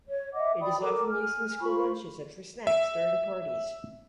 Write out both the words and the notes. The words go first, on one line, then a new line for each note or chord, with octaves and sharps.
It is often used in school lunches and for snacks during parties.
C#5
D#5 E5 F#5 D6
D5 G5 B5 D#6
A4 A#4 A#5 D6
G#5 F6
F4 C5 B5 C#6
E5